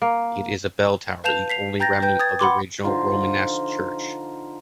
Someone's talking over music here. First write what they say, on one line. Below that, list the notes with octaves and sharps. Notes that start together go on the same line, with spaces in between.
It is a bell tower, the only remnant of the original Romanesque church.
A#3
B4 F5 A5 G6 E7 F7
B6 C7 F7
G5 A#5 G6 A6 A#6
B4 G5 G6
D#6 G#6 A6
F#5 B5 C6 D6
D3 F3 D#4 F4